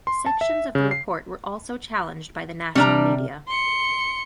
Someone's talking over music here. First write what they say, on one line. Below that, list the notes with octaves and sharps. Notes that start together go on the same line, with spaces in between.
Sections of the report were also challenged by the national media.
C6
A5
E5
C#3
C7
C3 G3 D4 D5 A#5 F6
C6 C#7